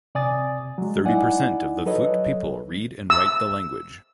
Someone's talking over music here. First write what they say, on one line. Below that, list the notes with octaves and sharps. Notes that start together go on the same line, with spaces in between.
Thirty percent of the Fut people read and write the language.
C3 D5 G#5 D#6 A6
F#3 G#3
D#4 E4 D5 F#5 G#5
F#3 A4 B4 C#5 D#5
E6